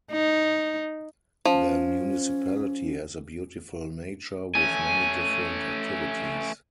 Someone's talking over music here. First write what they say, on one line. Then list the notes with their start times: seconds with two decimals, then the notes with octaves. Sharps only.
The municipality has a beautiful nature with many different activities.
0.12 D#4
1.45 F3 C#4
4.55 A3 C#4 G#5